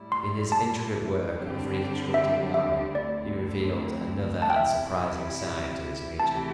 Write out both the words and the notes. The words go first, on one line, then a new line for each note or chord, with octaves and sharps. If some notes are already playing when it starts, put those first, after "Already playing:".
In his intricate work of reconstructing the army, he revealed another, and surprising side to his nature.
Already playing: A2 G3 E4
C6
A5
D3 G3 C4 G4
E5
E5
D2 D3 C4 E4 D5
A5
G5
C3 G3 E4 G4 E5
C3 E3 A3 E4 G4 A5